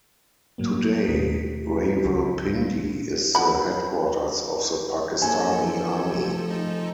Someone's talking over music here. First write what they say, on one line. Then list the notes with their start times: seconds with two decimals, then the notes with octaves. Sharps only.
Today Rawalpindi is the headquarters of the Pakistani Army.
0.58 A2 F#3 A#3
1.08 D#2 B2 A3 B6
2.05 C#2
3.35 F#4 B5
5.22 A#1 F3 A4 G#5
5.66 E2
6.19 F1
6.49 F3 D#4 A4